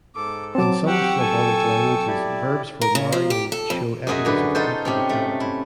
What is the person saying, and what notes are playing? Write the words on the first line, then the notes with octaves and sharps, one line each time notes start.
In some Slavonic languages, verbs for marrying show evidence of patrilocality.
G#2 A4 D6
F#3 C4 A5 D6
G4 F#5 G5 C#6 E6
A4 G#5
E4 G4 D5
A#4
C#3
F3
G4
A4
F2
F#2 F#4 G#4 D#5 E5
F#2 D3 B4
D#4 F4 A4 C5
C3 C4 C#4
A3
E4